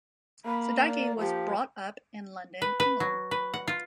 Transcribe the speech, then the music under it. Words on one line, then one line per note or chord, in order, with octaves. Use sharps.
Siddiki was brought up in London, England.
A#3 B5
D5
F3 G4
B4
B4
F#3
B4
F#5
F4